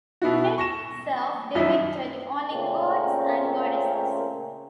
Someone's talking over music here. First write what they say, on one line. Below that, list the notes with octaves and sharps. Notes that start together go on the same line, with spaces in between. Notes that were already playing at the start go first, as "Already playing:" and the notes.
The gate itself depicted only gods and goddesses.
B2 E4 F#4
C#6 A#6 E7
D#1 F#2 D#4 E4 E5
A#2 C#3 A3 C4 C#4 A#4